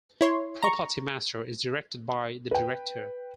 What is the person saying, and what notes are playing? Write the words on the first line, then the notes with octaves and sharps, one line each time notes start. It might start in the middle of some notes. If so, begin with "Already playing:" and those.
Property master is directed by the director.
E4 C#5 C6
A#5 C#6
B4 G5